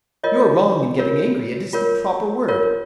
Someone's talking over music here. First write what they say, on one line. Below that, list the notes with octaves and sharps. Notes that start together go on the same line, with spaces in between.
"You are wrong in getting angry; it is the proper word."
F4 A#4 C#5 D#5
F4 A#4 C#5
F4 A#4 C#5
F4 A#4 C#5